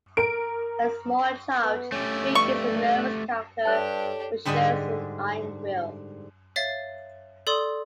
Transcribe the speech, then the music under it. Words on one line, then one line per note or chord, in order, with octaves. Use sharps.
As a small child, Tweek is a nervous character, but shows an iron will.
A#4 D7
B3
A3 C#4 G4
G2 C#6
G2 D4 G4 A4 C#5 A5 F#6
G#2 D3 G3 G#4 D#5 E5
C#5 E5 F5 A6 C7
A4 D5 C6 D#6